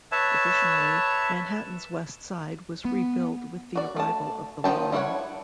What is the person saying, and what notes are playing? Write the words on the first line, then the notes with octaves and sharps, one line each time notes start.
Additionally, Manhattan's West Side was rebuilt with the arrival of the line.
B4 C#5 E5 A5
B3
F#4 D5
A3 A5
D#3 F3 F4 G5 A5
G3 E4 A4 C#5 F#5